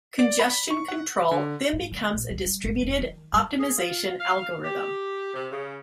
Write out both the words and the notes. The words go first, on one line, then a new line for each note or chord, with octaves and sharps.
Congestion control then becomes a distributed optimisation algorithm.
D5
B5
C#6
F#5
D3
G#2
D3
A#1
C2
G3
G#1
F1
D#3
G2
G#4
F4
F5
G4
C3
C#3